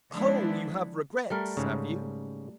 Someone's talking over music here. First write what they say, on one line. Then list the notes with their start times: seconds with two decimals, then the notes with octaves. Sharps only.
"Oh, you have regrets, have you?"
0.13 F3 G#3 B3 D4 E4
1.30 G3 A3 A#4
1.57 G#2 C#3